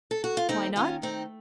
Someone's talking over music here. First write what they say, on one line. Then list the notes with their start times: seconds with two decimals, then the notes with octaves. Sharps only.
"Why not?"
0.11 A4
0.24 F#4
0.37 F4
0.49 D#2 C4 D#4
0.76 D#3 C#4 F4
1.02 A3 C4 D#4